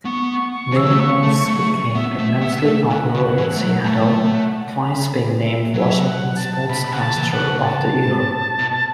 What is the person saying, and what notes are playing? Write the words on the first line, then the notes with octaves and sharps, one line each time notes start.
Niehaus became immensely popular in Seattle, twice being named Washington Sportscaster of the Year.
B3 C#6
C#6
C#6
C#3
E3 E6
F#3
A3
B3 C#6
A3
A3
F#3
A3
B3 E5
A3
B3
A3
C#3 F#5
C#3
E3
A3
F#3
A3 A5
A5
F#5
F#5
B5
E5
F#3 E5
F#5
A5
B2 B5
C#3 F#5
A5
E3
F#5
C#3
A5
B2